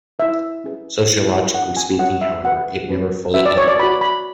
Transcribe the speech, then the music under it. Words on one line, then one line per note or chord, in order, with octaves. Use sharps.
Sociologically speaking, however, it never fully integrated.
E4 B4 E5
C#4 G#4 B4
E4 B4
D4 A4 C#5 F#5
G#5
F#4 A4 C#5 F#5
E5
F#4 B4 F#5
C#4 F#4 B4
C#4 F#4 B4 E5
D5
C#5
D5
F#4 B4 B5
B5